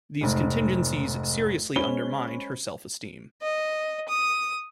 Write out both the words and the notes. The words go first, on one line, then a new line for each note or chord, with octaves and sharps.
These contingencies seriously undermined her self-esteem.
F1 G#2
G#3 C#4 C5 B5 G7
D#5
D#6